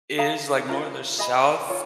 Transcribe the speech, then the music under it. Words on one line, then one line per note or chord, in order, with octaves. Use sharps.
is, like north or south.
G#4 C#5 F5 A#5
F4 A#4 D#5 A#5
G#4 D#5 G#5 B5
F4 G#4 C#5